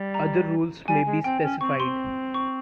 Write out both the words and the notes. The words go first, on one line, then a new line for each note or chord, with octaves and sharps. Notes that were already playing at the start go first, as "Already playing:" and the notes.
Other rules may be specified.
Already playing: G3
A#5
G3 G#5
G#3
C4 G5
C#4
C4 C#6
C6
C#6